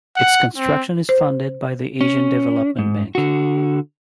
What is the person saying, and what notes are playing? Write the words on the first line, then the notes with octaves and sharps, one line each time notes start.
Its construction is funded by the Asian Development Bank.
F#5
C4
C5
C#4
G#2
D3 F#4